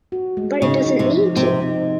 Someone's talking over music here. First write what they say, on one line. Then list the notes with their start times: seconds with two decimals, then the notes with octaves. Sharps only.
But it doesn’t need to.
0.12 F#4
0.37 G#3
0.61 C#3 D#4
0.86 F3
0.99 C3
1.12 F3
1.36 C3 C4
1.61 D#4